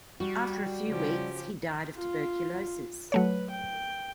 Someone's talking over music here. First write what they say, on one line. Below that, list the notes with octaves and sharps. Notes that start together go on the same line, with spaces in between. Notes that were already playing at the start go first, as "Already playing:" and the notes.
After a few weeks, he died of tuberculosis.
G3 F#4
C#3 F3 G4
F4
F#3 A3 B4 C#5
G5